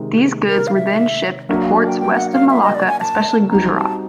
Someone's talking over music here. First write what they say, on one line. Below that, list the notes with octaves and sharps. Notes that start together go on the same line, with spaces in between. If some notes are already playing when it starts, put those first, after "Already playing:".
These goods were then shipped to ports west of Malacca especially Gujarat.
Already playing: C3 D#3 G#3
A#4
F5
E5
F#3 A#3 D4 F#4 A#4 E5
F5
E5
G5
G5
F#5
F5
E5
D#5
D5
G#5
A5
G3 C4 D#4 F#4 A#5
A5